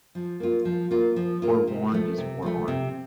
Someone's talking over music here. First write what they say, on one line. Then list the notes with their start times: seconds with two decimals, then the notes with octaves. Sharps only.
Forewarned is forearmed.
0.15 F3
0.40 A#3 F4
0.65 F3
0.91 A#3 F4
1.16 F3
1.42 A#3 F4
1.67 C3
1.92 F3 A3
2.18 C3
2.42 F3 A3
2.68 C3